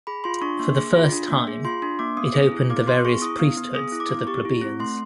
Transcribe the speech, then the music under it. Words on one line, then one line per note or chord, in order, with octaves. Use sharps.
For the first time, it opened the various priesthoods to the plebeians.
G#4 B5
F4 C6
D4 C#6
A#3 C6
G#4
F4
D4
A#3
G#4
F4 C6
D4 C6
A#3 D6
B3 D#6
G#4
E4
B3 D6
B3 C6
G#4 C#6
E4 D#6
B3
B3
G#4 D#6
E4
D6
B3
G4 C#6
E4
C4
A3 C6